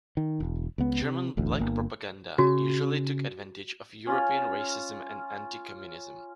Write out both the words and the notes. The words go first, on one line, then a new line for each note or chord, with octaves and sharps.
German black propaganda usually took advantage of European racism and anti-Communism.
D#3
E1
C#2 B3
C3
E1 A1 D2
G1 A#3
C#3 F#4
C#4 F4